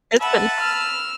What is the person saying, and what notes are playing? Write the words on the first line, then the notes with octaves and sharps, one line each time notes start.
It's been
B4 E5 F#5 A5
E6 F6